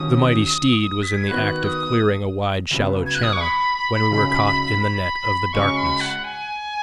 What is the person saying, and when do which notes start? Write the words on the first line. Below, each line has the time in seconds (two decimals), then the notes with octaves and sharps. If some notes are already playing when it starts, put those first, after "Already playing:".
The mighty steed was in the act of clearing a wide shallow channel when we were caught in the net of the darkness.
Already playing: D#2 D#3 F#3 C#4 D#6
1.02 B6
1.15 G#6
1.28 D#3 B3 F#4 B4 F#6
1.64 D#6
2.71 C#2 C#3 F#3 B3
3.06 G#6
3.15 F#6
3.23 D#6
3.33 C#6
3.41 B5
4.11 C#2 C#3 F#3 D#4 G#4
5.53 C#3 G#3 C#4 F#4 C#6
5.77 B5
6.00 F#5
6.24 G#5